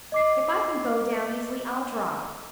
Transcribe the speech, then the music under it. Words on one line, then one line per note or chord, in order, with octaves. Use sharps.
If I can go down easily, I'll drop.
D#5 D6 C7